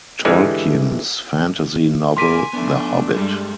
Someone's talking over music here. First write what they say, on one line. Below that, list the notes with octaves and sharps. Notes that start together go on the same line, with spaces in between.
Tolkien's fantasy novel "The Hobbit".
G2 D3 E3 G3 G#3
A#3 F4 A#4 G#5 C6 D6 B6 D#7
F3 A3 B3 D4
G2 G3 G#3 A4